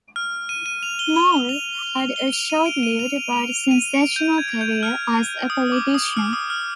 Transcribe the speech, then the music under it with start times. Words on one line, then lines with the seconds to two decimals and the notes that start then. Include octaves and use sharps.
Moule had a short-lived but sensational career as a politician.
0.16 F6
0.49 D#7
0.66 D#7
0.83 F7
0.99 G7
1.16 G7
1.32 G7
1.49 F7
2.16 G7
2.33 F7
2.50 D#7
2.66 D7
2.83 D#7
2.99 F7
3.16 F7
3.33 F7
3.50 F7
3.64 F7
3.71 D#7
3.94 D7
4.16 G6
4.38 G#6
4.61 G6
4.83 F6
5.50 D#6
5.72 D6
5.94 D#6
6.17 F6
6.33 D#6
6.50 F6